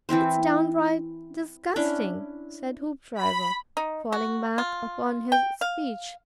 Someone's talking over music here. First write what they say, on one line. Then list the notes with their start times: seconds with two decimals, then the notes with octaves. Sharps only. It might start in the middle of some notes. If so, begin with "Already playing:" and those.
"It's downright disgusting," said Hoopdriver, falling back upon his speech.
0.09 E3 C4 E4 C5
1.76 C#4 D4 E4
3.18 B5
3.77 D#4
4.12 F#4
4.58 F4
5.32 G5
5.61 F5